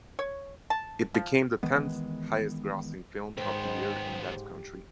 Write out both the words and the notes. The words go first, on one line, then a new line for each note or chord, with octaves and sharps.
It became the tenth highest-grossing film of the year in that country.
C#5
A5
F3
D#3 E3 G#3 B3
D#2 G#2 B3 C5 G5
G4